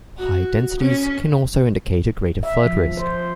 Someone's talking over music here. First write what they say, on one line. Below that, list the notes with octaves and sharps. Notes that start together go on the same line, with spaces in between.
High densities can also indicate a greater flood risk.
F#4
C#4
E5
F3
C5